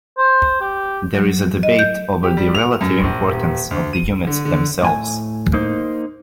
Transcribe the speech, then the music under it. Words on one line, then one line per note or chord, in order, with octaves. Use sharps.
There is debate over the relative importance of the units themselves.
C5
G4
F#3
D#5
G6
G4
G3
F7
F#2
A#1
D#1
D2
D#7
D3
D3
A2 G#5
A#3 D#4 C5